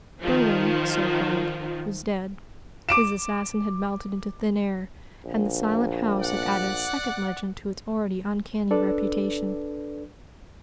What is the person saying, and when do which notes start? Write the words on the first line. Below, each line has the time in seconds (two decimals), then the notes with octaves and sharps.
Berwin--so called--was dead, his assassin had melted into thin air, and the Silent House had added a second legend to its already uncanny reputation.
0.20 D#3 F3
2.89 D6 D7 E7
5.25 A#1
6.21 D5 F#5
8.71 D4 A4 B4 D5